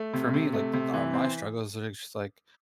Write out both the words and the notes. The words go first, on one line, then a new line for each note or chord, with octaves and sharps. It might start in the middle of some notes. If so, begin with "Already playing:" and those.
for me, like, the th are my struggles are just like
Already playing: A3
C3
C3
A3
C3
E3
C4